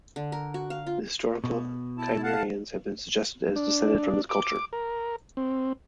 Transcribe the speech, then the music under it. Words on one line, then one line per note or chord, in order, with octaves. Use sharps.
The historical Cimmerians have been suggested as descended from this culture.
D3
A#4
F#4
F5
F4
B2
E4 A5
F5 F#5 A5
D4
D6
A#4
C4